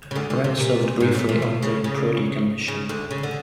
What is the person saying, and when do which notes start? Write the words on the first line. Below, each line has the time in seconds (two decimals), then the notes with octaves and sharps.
Rehn served briefly on the Prodi Commission.
0.11 C#3
0.16 D2 D3
0.30 D2 D3
0.44 C3
0.57 A#2
1.00 G#2
1.15 A2
1.29 A#2
1.42 B2
1.62 C#3
1.84 C#3
2.68 C#3
2.89 D2 D3
3.11 C#3
3.23 D3